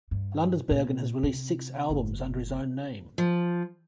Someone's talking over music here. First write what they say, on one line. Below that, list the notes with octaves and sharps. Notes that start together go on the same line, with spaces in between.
Landesbergen has released six albums under his own name.
G2
A#2
C3
F#1
F3